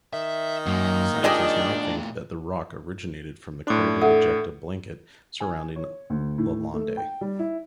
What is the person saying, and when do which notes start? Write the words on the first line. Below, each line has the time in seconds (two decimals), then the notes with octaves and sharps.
Scientists now think that the rock originated from the crater ejecta blanket surrounding Lalande.
0.13 D#3 E5
0.67 F#2 A#3
1.24 A2 D4 F4 G4 G#4 D#5
3.67 A2 D4 C5 C6 D6
4.01 A4 E5 F#5
5.40 G#5
5.76 C#5
6.10 D2
6.38 A2
6.74 A3
6.97 G5
7.21 G3
7.39 E4